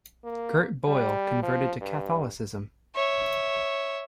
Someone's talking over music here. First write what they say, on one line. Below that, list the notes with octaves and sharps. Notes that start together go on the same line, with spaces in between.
Gert Boyle converted to Catholicism.
A#3
G3
F3
G2
C#5 E5